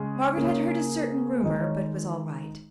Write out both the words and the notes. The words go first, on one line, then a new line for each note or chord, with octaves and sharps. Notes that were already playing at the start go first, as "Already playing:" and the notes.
Margaret had heard a certain rumour, but was all right.
Already playing: C#3 G#3 C#4 G#4
C#3 A#3 C#4
D#3 G#3 D#4
C#5